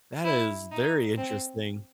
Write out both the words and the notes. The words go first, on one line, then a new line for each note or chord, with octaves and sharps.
That is very interesting.
E4
D#4
C4